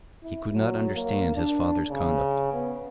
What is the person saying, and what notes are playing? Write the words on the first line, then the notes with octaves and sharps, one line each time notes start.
He could not understand his father's conduct.
E4
F#3
A#3
D4
C#3
B3